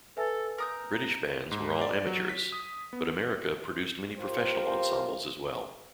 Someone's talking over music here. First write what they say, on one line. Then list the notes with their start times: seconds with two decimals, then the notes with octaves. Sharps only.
British bands were all amateurs, but America produced many professional ensembles as well.
0.17 A4 B4 E5 G#5
0.58 A#4 A#5 D#6 G6
1.51 G#2
1.81 D5
2.06 F#3
2.29 B6
2.52 D#6
2.93 B3
4.17 F4 G4 A#4 C5